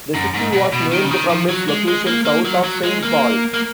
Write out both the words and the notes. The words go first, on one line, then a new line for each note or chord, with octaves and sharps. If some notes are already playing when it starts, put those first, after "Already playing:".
The city was named from its location south of Saint Paul.
F#2
G#2
B2
B2
D#3
C#3
D#3
F3
F#3
G#3
G#3
A#3
A#3
F#3
F#3
G#3
A#3
A#3